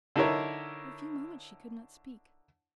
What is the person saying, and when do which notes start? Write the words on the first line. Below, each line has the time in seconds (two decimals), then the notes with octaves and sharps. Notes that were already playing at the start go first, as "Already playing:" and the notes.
For a few moments she could not speak.
0.16 D3 D#4 E4 A#4 C#5